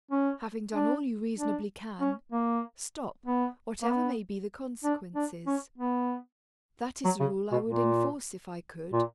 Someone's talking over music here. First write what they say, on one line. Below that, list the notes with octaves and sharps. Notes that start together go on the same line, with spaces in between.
Having done all you reasonably can, stop, whatever may be the consequences. That is a rule I would enforce if I could.
C#4
D4
D4
C#4
A#3
B3
A#3
B3
D4
D4
C#4
B3
F#3
C#3
B2
A#2
A#2